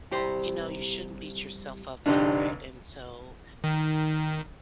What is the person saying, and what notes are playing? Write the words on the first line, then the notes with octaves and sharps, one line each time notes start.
you know, you shouldn't beat yourself up for it, and so,
C2 G4 C5
F1 G2 D3 D4 D#4 G4
D#3